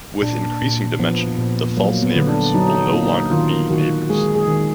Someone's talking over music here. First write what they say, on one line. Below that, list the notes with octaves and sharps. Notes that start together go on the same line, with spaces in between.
With increasing dimension, the false neighbors will no longer be neighbors.
A#2 D4
A#2
F3 B3
A#2
F#3 A#3
B3
D3
D4
F#3 D#4
A#3 D#4
D#3 F4
D#3 F#4
G#3 G#4
G#4
D#3